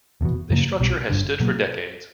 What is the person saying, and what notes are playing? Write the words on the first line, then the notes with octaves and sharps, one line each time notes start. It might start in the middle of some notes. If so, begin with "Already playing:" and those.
This structure has stood for decades.
F1 E2 B2
F#2 C#3 F3 A#3
B1 B2 G3
G1 G2 D3
B2 F#3 A#3